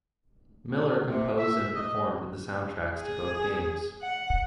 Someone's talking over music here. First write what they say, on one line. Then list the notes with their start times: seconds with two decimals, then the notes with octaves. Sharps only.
Miller composed and performed the soundtracks to both games.
0.68 B2
1.07 C3
1.38 E5
1.74 D#5
2.99 G#4
4.02 F#5